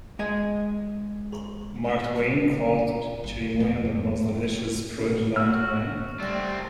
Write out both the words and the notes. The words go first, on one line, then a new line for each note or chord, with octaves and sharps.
Mark Twain called the cherimoya "the most delicious fruit known to men".
G#3 D#5 G#5
G1
E1
F2
F2
F#4 E6 F6
G3 A3 C4